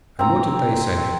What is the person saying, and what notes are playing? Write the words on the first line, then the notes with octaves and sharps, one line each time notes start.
'And what did they say?'
C4 A#5